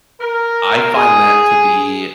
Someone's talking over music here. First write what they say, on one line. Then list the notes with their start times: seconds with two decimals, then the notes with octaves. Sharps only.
I find that to be
0.20 A#4
0.95 G#4